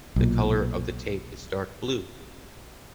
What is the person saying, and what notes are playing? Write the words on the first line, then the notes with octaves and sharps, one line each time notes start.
The color of the tape is dark blue.
B1 A#2